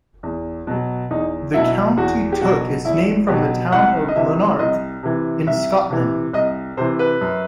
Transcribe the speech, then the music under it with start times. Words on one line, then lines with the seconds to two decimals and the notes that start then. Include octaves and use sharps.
The county took its name from the town of Lanark in Scotland.
0.23 E2
0.67 B2 F#3
1.10 E2 D#4
1.54 B2 F#3 E4
1.97 E2 F#4
2.32 G4
2.41 B2 F#3 F#4
2.85 E2 E4
3.28 B2 F#3 G4
3.72 C2 F#5
4.08 D#5
4.16 C3 E3 E5
4.59 C2 D#5
5.03 C3 E3
5.47 C2 E5
5.90 C3 E3
6.33 C2 D#5
6.77 C3 E3 C5
6.99 B4
7.21 F#2